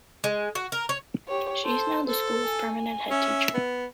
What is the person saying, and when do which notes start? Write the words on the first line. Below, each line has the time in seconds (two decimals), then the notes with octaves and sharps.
She is now the school's permanent headteacher.
0.24 G#3
0.55 F#4
0.72 A#4
0.89 C#5
1.28 G4 C#5
1.65 A4 C5
2.07 A4 C5
2.46 G#5
3.10 C#4 E5
3.54 B3